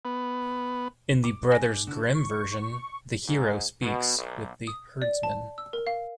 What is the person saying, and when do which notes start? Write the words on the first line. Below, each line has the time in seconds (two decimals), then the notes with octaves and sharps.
In the Brothers Grimm version, the hero speaks with the herdsman.
0.05 B3
1.24 D6
1.51 G#5 A#6
1.87 D3
2.15 C#6
3.27 G#2
3.82 B2
4.17 B1
4.67 D#6
5.02 D5
5.23 A5
5.58 E6
5.73 A#4
5.87 F5